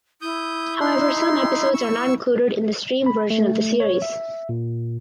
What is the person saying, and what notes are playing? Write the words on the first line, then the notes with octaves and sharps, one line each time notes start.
However some episodes are not included in the streamed version of the series.
E4 D#6 G6
D#4 C6
C#6 E6
B5
A3
C#5
E5
A#2